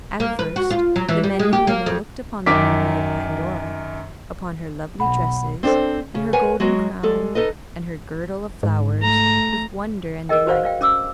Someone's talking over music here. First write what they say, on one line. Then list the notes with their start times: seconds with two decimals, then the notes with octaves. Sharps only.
At first the men and women looked upon the beauty of Pandora, upon her lovely dresses, and her golden crown and her girdle of flowers, with wonder and delight.
0.20 A#3
0.39 B4
0.56 F#4
0.70 F4
0.96 F#3
1.09 E3
1.23 G3
1.39 G#3
1.53 G4
1.67 A#3
1.86 F2
2.46 F#2 D#3 D6 B6
5.00 B1 F#5 B5
5.63 C4 D4 G4 A4 C5
6.15 C#3
6.33 A#4 B4 C#5 F#5 G#5
6.60 F#3 G#3 F#4
7.03 G3 G#3 A4
7.35 D#4 A4 B4 D#5
8.63 G#2
9.00 A3 A#5
10.29 G#4 A#4 D#5 G5
10.47 F#4 B4 C5 D5 F5 F#5
10.63 D5 F5 G5
10.81 C#4 D6 E6